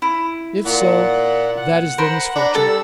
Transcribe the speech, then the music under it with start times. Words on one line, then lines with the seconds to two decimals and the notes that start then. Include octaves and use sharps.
If so, that is their misfortune.
0.02 E4
0.65 A#2 F#5
1.56 F#5
1.98 A#4 C5 B5
2.36 D4 B4 A#5
2.55 G3 A4 E6